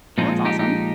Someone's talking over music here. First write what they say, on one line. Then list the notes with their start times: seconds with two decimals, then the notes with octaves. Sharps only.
Well, that's awesome.
0.18 A#2 F3 G#3 C4 D#4
0.45 D#4 G4
0.59 D#4 G4